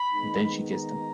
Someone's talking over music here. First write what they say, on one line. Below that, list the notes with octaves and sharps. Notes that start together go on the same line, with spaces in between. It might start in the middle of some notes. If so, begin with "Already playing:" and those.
And then she kissed him.
Already playing: B5
D#3 G#3 B3 D#4
A#5